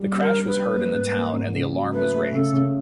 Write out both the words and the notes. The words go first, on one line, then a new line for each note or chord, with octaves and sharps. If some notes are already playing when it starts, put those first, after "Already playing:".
The crash was heard in the town and the alarm was raised.
Already playing: G3
G3
A#4
D4
B4
G3
A#3
G#2
A#3
G#2
C#3
F#3
A3 B4
A3
C#3 A4
C#3